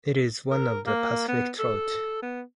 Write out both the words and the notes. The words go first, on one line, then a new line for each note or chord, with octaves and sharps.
It is one of the Pacific trouts.
A#4
A#3
B3
A4
B3